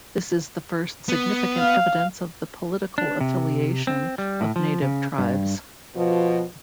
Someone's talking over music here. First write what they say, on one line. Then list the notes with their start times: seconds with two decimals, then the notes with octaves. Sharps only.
This is the first significant evidence of the political affiliation of native tribes.
1.09 B3
1.57 F5
2.98 D4
3.21 C3
3.87 C4
4.18 G3
4.41 A2
4.56 F3
4.82 C#3
5.18 G2
5.96 B2 F3